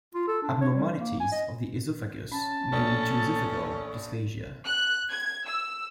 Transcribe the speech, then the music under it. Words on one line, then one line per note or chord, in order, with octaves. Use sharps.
Abnormalities of the esophagus may lead to esophageal dysphagia.
F4
A4
D4
C#5
G3
A#3
G#5
D#5
C#4 A5 B5
A#1 A2 C#4 A4
F#6
G#6
E6